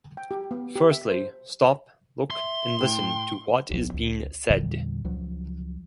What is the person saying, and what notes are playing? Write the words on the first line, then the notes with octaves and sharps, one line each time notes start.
Firstly, stop, look and listen to what is being said.
G5
G4
B3
G4
E5
C5
E5 C6
A2 G5
D1 B1 F3 B3
C#2
E2 A#2 D3 G3
C#2 F3 F#3